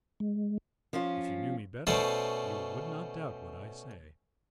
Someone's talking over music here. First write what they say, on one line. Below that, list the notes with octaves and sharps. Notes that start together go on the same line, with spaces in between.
If you knew me better, you would not doubt what I say.
G#3
F3 C#4 F4
B2 A3 C#4 C5 D5 D6